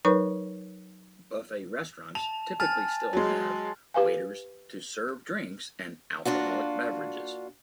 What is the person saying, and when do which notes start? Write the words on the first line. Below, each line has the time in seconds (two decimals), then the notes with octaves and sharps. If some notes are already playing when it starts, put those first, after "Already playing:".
Buffet restaurants typically still have waiters to serve drinks and alcoholic beverages.
0.05 F#3 D#4 A#4 B4 C#5 C#6
2.15 A5 F7
2.60 G#5 A5 F6 A6
3.13 F#3 G#3
3.94 G4 B4 F5 G#5
6.25 A#3 D4 F4 F#4